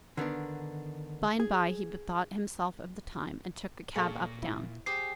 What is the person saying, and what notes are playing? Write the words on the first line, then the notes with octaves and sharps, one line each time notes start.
By and bye he bethought himself of the time, and took a cab uptown.
D3 D#3 B3 D4
G#4
A#2 G#4 A4 C#5 F5
B2 E4
G4 G#4 C5 C7